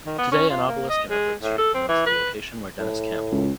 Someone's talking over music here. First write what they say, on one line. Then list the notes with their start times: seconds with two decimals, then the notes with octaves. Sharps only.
Today an obelisk in Edward Street denotes the location where Dennis camped.
0.06 D#3
0.18 B3
0.32 C#4
0.50 F4
0.68 A#3
0.90 D#5
1.10 G#3
1.43 A2
1.58 A4
1.74 C4
1.88 E3
2.06 B4
2.79 A2
3.32 C#2